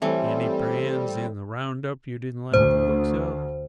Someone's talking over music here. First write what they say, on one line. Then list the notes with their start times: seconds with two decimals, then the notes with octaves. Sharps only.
"Any brands in the round-up you didn't like the looks of?"
0.02 A2 E3 G3 A3 C4 D5
2.54 D2 C5